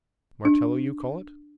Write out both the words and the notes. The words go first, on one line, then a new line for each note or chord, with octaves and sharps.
Martello you call it?
D4